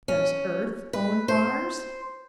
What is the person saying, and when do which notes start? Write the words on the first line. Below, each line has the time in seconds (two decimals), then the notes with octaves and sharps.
"Does Earth own Mars?"
0.08 C#4
0.93 B4
1.28 C5